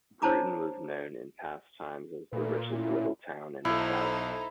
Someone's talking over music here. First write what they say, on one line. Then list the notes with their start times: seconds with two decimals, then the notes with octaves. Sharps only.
Brewton was known in past times as the richest little town in the South.
0.22 D4 C5 C#5 A5 A#5 D6
2.33 A#2 A3 B4
2.72 A2 C#4 E4
3.65 B1 D#4 E4 A4 C5